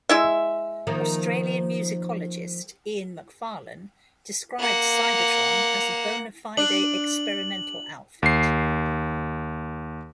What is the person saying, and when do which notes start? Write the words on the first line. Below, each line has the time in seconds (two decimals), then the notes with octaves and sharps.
Australian musicologist, Ian McFarlane, described Cybotron as "a bona fide experimental outfit".
0.09 G#3 E4 E5
0.87 D#3 F3 A#3
4.59 A#3 F#5
6.57 D4 F#7
8.23 D#2 C7